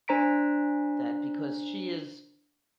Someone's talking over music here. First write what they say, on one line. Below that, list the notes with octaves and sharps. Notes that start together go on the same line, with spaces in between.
That because she is
D4 C5 A#5 B6 D7